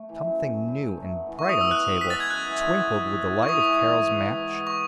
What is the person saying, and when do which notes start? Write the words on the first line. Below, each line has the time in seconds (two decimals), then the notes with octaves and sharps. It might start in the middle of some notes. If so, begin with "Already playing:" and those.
Something new and bright on the table twinkled with the light of Carroll's match.
Already playing: A3
0.09 E3
0.24 F#2
0.38 F#2
0.54 F#2
0.68 F#2
0.83 F#2
0.97 A3
1.12 B3
1.27 E3
1.39 B3 C#6
1.49 D#6
1.57 B3 E6
1.71 B3 F#6
1.86 B3
2.01 B3 B6
2.10 A6
2.16 G#3 G#6
2.30 F#2 F#6
2.45 E3
2.60 G#3
2.75 G#3
2.90 B3
3.04 E3
3.19 E3
3.34 E3
3.43 C#6
3.49 G#2 D#6
3.63 E3
3.78 E3
3.93 G#2
4.08 G#2
4.23 G#2
4.37 B3
4.52 G#2
4.67 C#6